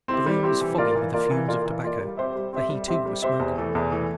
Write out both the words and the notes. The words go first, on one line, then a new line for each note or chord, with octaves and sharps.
The room was foggy with the fumes of tobacco, for he, too, was smoking.
C4 E4 G4
G3
C4 E4 G4
E3
A#3 F4 A#4 D5
E3
A#3 F4 A#4 D5
E3
A#3 F4 A#4 D5
E3
A#3 F4 A#4 D5
G3
C4 G4 C5 E5
G3
C4 G4 C5 E5
G3
C4 G4 C5 E5
G3
C4 G4 C5 E5
E2
E3 A3
E2
E3 A3